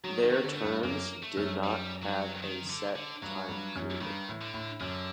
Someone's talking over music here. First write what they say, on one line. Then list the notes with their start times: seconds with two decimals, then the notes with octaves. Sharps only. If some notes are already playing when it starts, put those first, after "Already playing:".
Their terms did not have a set time period.
0.04 D#3 F#3
0.24 D#3
0.31 F#3
0.44 D3
0.53 G3
0.57 A3
0.64 G2
0.83 F#2 A#3
1.23 A3
1.37 F#2
1.64 G3
2.03 F#3
2.43 D#3
2.69 D3
2.95 D3
3.22 G2 F#3
3.48 G2
3.76 F#2
4.01 G2 D#3
4.29 A2
4.41 D3
4.54 A2
4.80 F#2 D3